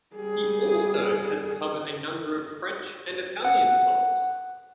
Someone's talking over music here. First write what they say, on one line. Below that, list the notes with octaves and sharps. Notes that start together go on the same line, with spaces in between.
He also has covered a number of French and Italian songs.
G3 G#4
F#5